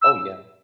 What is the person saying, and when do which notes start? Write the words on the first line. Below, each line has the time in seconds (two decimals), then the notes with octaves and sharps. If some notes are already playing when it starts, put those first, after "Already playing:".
Oh, yeah.
0.02 E6